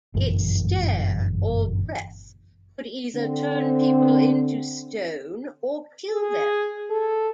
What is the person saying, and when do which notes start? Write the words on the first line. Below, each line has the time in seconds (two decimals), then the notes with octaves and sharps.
Its stare or breath could either turn people into stone, or kill them.
0.14 G1 F#2 A#2 E3
3.15 D3 C4
6.11 G#4
6.90 A4